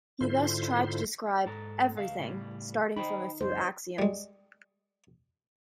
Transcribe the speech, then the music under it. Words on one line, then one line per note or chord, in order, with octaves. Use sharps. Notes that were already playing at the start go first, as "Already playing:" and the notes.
He thus tried to describe "everything" starting from a few axioms.
G#2 D3 E4 F4 C5 C6
G#2 A4 A#5
C#2 F5
A2 C#3 G3
D#4 C5 G5 B5
C#2 F#2 C5
G3 G#3